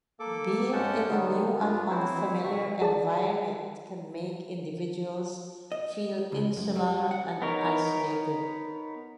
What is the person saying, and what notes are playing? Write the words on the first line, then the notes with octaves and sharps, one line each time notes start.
Being in a new and unfamiliar environment can make individuals feel insular and isolated.
A#3 A4 D6
G2 G#3 C#4 F#5 A5 G6
D3 D#3 F#3 G3 B3
G2 A3 B3 D4 F4
E3 C4 E4 C5 C#5
B2 D3 D#3 E5 C#6
G#4 D5 A5
D#5
C#2
F#2
G3
F#5
B3 D#4 A#4 C#5